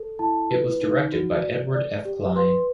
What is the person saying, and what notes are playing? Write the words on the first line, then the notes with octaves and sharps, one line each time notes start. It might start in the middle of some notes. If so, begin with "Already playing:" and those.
It was directed by Edward F. Cline.
Already playing: A4
E4 A5
B4
D#4
F#4
D5
D5
G4
B4 C6